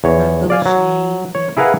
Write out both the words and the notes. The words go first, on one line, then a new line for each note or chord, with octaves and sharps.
not feel ashamed and
E2 C#5
D5 F5 G#5
F#3
C#5
E4 G#4 A#4 B4 F5 F#5